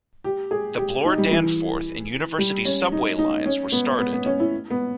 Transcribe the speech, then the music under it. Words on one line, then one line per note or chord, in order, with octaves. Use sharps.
The Bloor-Danforth and University subway lines were started.
G4
G#4
G4
D#4
G3
E3
G3
C#4
D#4
D#4
C#4
B3
B3
B3
C#4
E4
B3